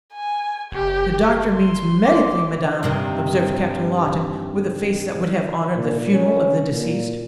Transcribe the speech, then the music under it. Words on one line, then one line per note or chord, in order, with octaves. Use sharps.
"The doctor means medically, madam," observed Captain Lawton, with a face that would have honored the funeral of the deceased.
G#5
F#1 G4
C6
D6
G2 C3 D#3
A#2
C#4
A#2